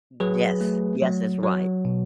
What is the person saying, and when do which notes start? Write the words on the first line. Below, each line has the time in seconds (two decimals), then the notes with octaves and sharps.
Yes, yes, that's right.
0.20 F#3 G#4 B4
0.61 A3
1.02 F#3
1.43 F#3
1.85 B2